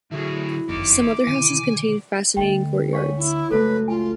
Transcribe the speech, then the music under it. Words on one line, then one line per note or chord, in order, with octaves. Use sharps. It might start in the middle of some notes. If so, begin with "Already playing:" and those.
Some other houses contain fascinating courtyards.
D3 F#3 E4 F#4 G#4
F#1 F2 A#3 D#4 D6
B2 D3 D#3 G#5
D2 D3 D#5 G5
C#5 F5 F#5 G#5 C#6
E4
C#2 F#2 A3 A4 B4
F4 G#5